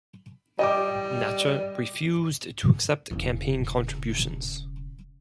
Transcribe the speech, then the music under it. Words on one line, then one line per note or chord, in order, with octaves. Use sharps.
Natcher refused to accept campaign contributions.
G3 D#5 G5 D6
E1 C#3